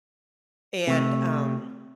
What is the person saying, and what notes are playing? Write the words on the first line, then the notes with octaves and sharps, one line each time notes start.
and, um,
C3 A3